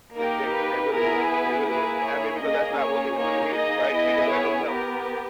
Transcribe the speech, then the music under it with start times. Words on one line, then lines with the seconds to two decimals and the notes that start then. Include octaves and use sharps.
They they they really wouldn't. They really wouldn't. I mean, because that's not what they wanted to hear, right, because that don't help 'em.
0.17 A#3 D#4 G4 A#4
0.55 B4
0.92 B3 E4 G#4 A#4
1.31 B4
1.68 A#3 E4 G#4 B4
2.06 C#5
2.43 A#3 C#4 G#4 D#5
2.81 C#5
3.18 A#3 D#4 G#4 C#5
3.56 D#5
3.93 B3 E4 G#4
4.32 C#5
4.69 B3 G4 A#4